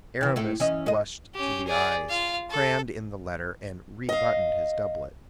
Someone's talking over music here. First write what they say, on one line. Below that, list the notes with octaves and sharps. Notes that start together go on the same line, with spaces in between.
Aramis blushed to the eyes, crammed in the letter, and re-buttoned his doublet.
C3 E3
A2 A3 E4
E3 C#4 D#5
G#3 D#5
C#4 G4
G#4 D5
F4 F5
A4
D#5 F5